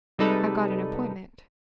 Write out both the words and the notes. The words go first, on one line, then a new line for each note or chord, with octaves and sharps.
I've got an appointment.'
C3 G3 G#3 D#4 A4 B4